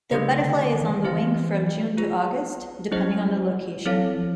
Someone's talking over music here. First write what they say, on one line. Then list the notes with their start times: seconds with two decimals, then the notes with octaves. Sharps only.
The butterfly is on the wing from June to August, depending on the location.
0.11 C#3 A3 D4 G4 B4 D#5
0.42 D3
0.73 D#3
0.82 E3
0.89 D#3
1.04 E3 C4 E4 G4 C5 F5
1.97 F4 G#4 B4
2.92 F#3 C#4 E4 G#4 C5 D#5
3.85 F#3 C4 E4 A4 C#5 F5
4.16 F3